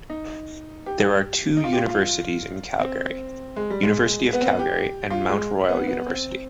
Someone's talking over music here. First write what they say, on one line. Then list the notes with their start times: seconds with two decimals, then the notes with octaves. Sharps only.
There are two universities in Calgary: University of Calgary and Mount Royal University.
0.10 D#4
0.86 G4
1.57 D#4
1.64 F4
1.73 G4
1.77 F4
1.89 F4
2.79 C4
3.56 G#3
3.70 G3
3.83 G#3
4.33 B3
4.41 C4
4.46 B3
4.59 G4
5.10 F4
5.29 G#3
5.69 B3
5.87 B3
6.07 C4